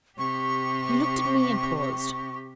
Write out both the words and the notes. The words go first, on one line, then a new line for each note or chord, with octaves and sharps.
He looked at me and paused.
C3 G4 C#6